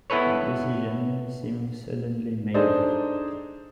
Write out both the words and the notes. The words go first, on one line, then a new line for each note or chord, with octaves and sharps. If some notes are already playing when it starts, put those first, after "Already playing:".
Her decision seemed suddenly made.
B3 E4 A4 B4 C#5
D4 D#4 G#4 A4 C5 D5